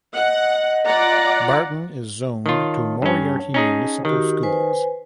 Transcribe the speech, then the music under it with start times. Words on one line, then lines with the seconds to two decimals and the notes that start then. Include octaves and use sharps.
Barton is zoned to Moriarty Municipal Schools.
0.14 D#5 F#5
0.85 F4 D5 F#5 A#5
2.46 D#3 F4 C#5 A5
3.02 G2 C#4
3.54 C#4 D#4 G#4
4.05 D#3 F#4 G4
4.43 B4 C5 G#5